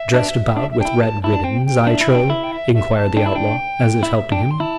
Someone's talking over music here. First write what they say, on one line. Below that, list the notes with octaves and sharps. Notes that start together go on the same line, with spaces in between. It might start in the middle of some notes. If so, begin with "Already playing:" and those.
"Dressed about with red ribbons, I trow?" enquired the outlaw, as if helping him.
Already playing: E5
D4
D4 E5
E5
D4 G5
E4
A5
E4 A5
D4
C4 G5
G5
D4 E5
E4
G5
D4
E4 E5
G5
E5
E5
A5
D4 G5
E4 A5
D4 G5
E4 E5
D4 G5
C6
E4 A5